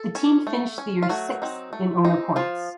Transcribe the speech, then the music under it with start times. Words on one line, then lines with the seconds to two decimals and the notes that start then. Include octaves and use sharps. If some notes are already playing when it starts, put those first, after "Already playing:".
The team finished the year sixth in owner points.
Already playing: A4
0.15 C#4
0.47 A3
0.78 C#4
1.03 F4
1.09 F#3 A3 F#4
1.42 C4 D#4
1.73 A3
2.05 C4 D#4
2.36 F3 F4